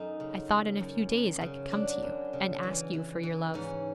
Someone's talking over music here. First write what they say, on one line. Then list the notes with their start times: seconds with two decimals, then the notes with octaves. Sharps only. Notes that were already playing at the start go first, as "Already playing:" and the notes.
I thought in a few days I could come to you, and ask you for your love.
Already playing: F#2 D#4 A4
0.20 C#3
0.49 C#3
0.80 F#2
1.11 F#2
1.41 C#3
1.71 F#3 D4
2.02 F#2
2.33 C#3
2.63 E3
2.93 E3
3.23 E3
3.54 G#2 C#4